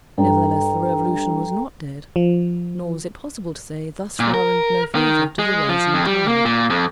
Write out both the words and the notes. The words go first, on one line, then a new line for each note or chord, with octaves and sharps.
Nevertheless, the Revolution was not dead, nor was it possible to say thus far and no further to the rising tide.
G2 A4 G5 A#5
F3
A#2
A#4
D#3
G#3
F3
F2
G3
A#3
A#2
F2